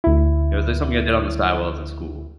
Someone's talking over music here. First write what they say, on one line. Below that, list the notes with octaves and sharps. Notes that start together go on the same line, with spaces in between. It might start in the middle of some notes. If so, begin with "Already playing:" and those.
It was just something I did on the sidewalls of school.
D2 E4